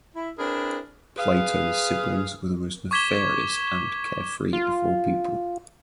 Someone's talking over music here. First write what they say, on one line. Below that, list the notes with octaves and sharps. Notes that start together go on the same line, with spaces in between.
Plato and his siblings were the most nefarious and carefree of all people.
E4
C4 D4 E4 G#4 A#4 B4
G#4 B4 F5
C#6 D6 G#6 B6 E7 G7
F4